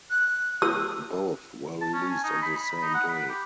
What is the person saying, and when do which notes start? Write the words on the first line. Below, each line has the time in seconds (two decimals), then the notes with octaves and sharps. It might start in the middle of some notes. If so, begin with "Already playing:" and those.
Both were released on the same day.
0.10 F#6
0.62 E6
1.82 A5
1.93 C#4
2.09 G#5
2.24 D#4
2.42 B5
2.58 B5
2.71 B5
2.82 D#4
2.94 F#5
3.08 B5
3.30 G4